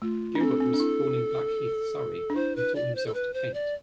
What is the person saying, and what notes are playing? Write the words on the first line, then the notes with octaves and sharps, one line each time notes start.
Gilbert was born in Blackheath, Surrey, and taught himself to paint.
A3 F4
D4
C4 A4
C4
D4
E4
D4
E4 C5
B4
D5
C5
A4
B4
C5
D5